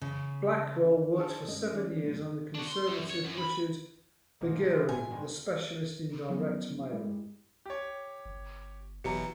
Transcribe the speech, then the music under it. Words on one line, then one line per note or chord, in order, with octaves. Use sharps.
Blackwell worked for seven years under conservative Richard Viguerie, the specialist in direct mail.
C#3
D#3 D4 E4 G#4 C5 A5
G2 G#3 C#4 D#5
D#3 C#4 D5
F#2 B2 F#3 G3 A3
D4 F#4
C6
F#2
C#5
F#2
B5
G#2 B2 A3 A#3 D#4
G#3 C4 E4
A2 G#5
G2 D#3 G#3
F3 F#3 B3 C#4 E4
G#3 E4 G4 G#4
G4 C#5
G1
G1 B2 E3 F#3 G4 A#5 C#7